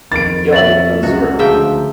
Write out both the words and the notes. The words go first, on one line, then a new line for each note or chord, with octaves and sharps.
Jung of Zurich.
F2 D#3 A6 D7
C#5 E5 A6 F#7
C#2 F#4
D2 F3 G#4 E5 G5